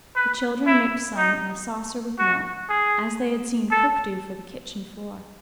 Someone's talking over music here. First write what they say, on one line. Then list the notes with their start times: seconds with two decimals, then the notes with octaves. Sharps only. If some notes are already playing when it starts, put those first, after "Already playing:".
The children mixed some in a saucer with milk, as they had seen cook do for the kitchen floor.
0.16 B4
0.66 E4
1.17 D#4
2.18 F#4
2.70 G#4
3.71 A4